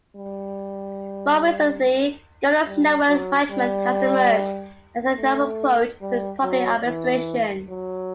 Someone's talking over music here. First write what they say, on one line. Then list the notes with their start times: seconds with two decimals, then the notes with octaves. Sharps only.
More recently, Governance Network management has emerged as a novel approach to public administration.
0.16 G3
2.67 G3
3.09 F#3
3.50 G3
5.18 A3
6.01 G3
6.43 F#3
6.85 E3
7.69 F#3